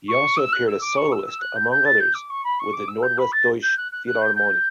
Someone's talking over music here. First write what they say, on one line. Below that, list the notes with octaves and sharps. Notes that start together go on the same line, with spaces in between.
He also appeared as soloist among others with the Nordwestdeutsche Philharmonie.
C#6
E6
F#6
E6
D6
C#6
E6
E6
F#6
G6
G6
A6
G6
D6
C#6
B5
C#6
D6
E6
G6
B5
A6
G6
F#6
F#6
F#6
G6
G6